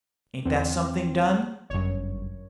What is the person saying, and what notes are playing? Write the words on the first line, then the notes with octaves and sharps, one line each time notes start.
Ain't that something done?
E2 C4
G1 F#2 C#5